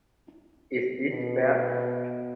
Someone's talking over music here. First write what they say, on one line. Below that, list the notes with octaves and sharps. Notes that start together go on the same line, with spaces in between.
Is this fair?
B2